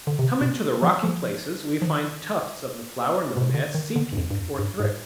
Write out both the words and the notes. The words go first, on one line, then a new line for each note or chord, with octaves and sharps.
Coming to the rocky places, we find tufts of the flower known as Sea Pink or Thrift.
D3
C3
B2
F3
F3
F3
D#3
B2
C3
D3
D#3
D3
G2
F2
G2
F2
G2
G#2